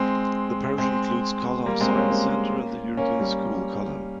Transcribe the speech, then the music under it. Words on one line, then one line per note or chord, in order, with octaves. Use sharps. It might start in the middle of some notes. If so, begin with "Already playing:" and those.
The parish includes Culham Science Centre and the European School, Culham.
Already playing: G#3 C4
G#3 C4
G3 A#3
G#3 C4
A#3 C#4
A#3 C#4
A#3 C#4
G3 A#3